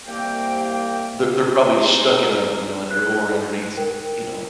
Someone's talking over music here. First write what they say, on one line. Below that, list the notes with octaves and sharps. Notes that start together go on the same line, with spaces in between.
They're they're probably stuck in, um, you know, a drawer underneath s you know,
C2 A#3 G5
D#4 G#4
F#6
A#4 G5